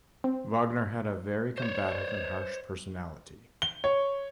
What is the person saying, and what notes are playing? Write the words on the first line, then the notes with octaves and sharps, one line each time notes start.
Wagner had a very combative and harsh personality.
C4
C5 C#5
G7
C#5